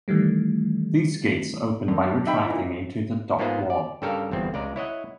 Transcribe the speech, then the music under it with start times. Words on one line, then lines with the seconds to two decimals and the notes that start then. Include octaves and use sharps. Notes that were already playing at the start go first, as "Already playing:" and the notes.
These gates open by retracting into the dock wall.
0.08 D#3 E3 G3 A3
1.88 F#2 D4
2.27 D#4 E5 G5 B5
2.46 A#2 E4
3.39 G#2 A#3 B3 F4 G#4 C5
3.70 D5
4.02 G2 C#3 G3 A4 A#4 F5
4.32 G1 E2 C4
4.54 C#2 G#3 D5 A#5
4.76 E4 C#5 D#5 F#5